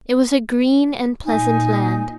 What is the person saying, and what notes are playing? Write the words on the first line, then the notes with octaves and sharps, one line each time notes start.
It was a green and pleasant land.
A#2 D#4 G#5